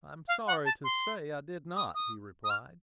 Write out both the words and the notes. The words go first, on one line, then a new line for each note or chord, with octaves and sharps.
"I am sorry to say I did not," he replied.
F5
F#5
A5
C6
D#6
D#6
D#6
F6